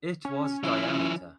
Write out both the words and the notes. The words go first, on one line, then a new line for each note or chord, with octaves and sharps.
It was diameter.
C#4
F3 E4